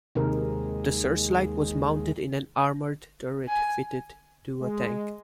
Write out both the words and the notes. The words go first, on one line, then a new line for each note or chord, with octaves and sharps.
The searchlight was mounted in an armoured turret fitted to a tank.
D#2 C3 D#3 G#3 A#4
G#5
G#3